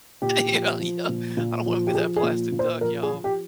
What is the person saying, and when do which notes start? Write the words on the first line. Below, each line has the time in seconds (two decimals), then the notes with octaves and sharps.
yeah, yeah, I don't wanna be that plastic duck, y'all.
0.22 A#2 G4
0.50 F3
0.80 F3
1.09 A#2
1.37 A#2
1.66 F3
1.87 G4
1.95 F3 G#4
2.16 G#4
2.23 A#2
2.52 A#2
2.59 C5
2.81 F3 A#4
3.03 G#4
3.10 F3
3.24 G4